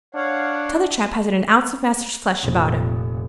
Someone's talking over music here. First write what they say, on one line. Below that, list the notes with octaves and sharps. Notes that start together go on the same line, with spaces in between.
T'other chap hasn't an ounce of measter's flesh about him.
D4 C#5 F5 F#5
F1 A#2